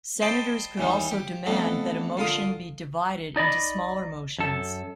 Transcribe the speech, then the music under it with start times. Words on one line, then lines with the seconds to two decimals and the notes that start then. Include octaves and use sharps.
Senators could also demand that a motion be divided into smaller motions.
0.22 C5 D5 D#5 G5 A5 B5
0.78 D#2 E3 G3 D#4
1.11 G4
1.46 F2 A3 B3 D4
2.17 D3 F4 A#4 D#6
3.36 D#4 D5 D#5 B5
4.38 F#2 A4